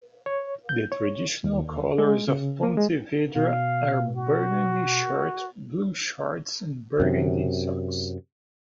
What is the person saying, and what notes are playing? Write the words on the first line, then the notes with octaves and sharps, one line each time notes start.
The traditional colours of Pontevedra are burgundy shirt, blue shorts and burgundy socks.
C#5
G6
C#5
D#2
G#3
C#3
A#3
G#3
B2 F5
F#4
F#2 C3